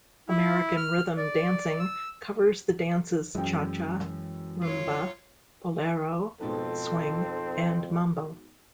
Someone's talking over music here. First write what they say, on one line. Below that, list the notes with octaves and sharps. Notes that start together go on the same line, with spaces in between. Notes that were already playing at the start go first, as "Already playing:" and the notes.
American Rhythm dancing covers the dances cha cha, rumba, bolero, swing, and mambo.
E4
F6
D5
E6
F#2 E3 G#3 G5
F4 C#5
F2 G#2 B2 C4 A4